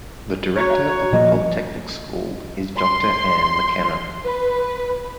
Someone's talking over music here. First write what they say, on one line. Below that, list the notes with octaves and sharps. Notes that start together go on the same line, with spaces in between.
The director of the Polytechnic School is Doctor Ann McKenna.
F#4 C#5 A#5
A#2 F3 A#3 D#5
C6
B4